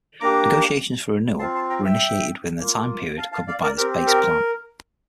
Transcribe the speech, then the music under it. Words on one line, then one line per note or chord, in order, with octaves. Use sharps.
Negotiations for renewal were initiated within the time period covered by this Base Plan.
A#3 D4 G4 A#5 D6
C4 F4 A5 C6
A5 C6
G5 A#5
E5 G5
A#3 F4
F5 A5
F5 A5
D5 F5
A#4 D5
C4 G4 A#4
A#4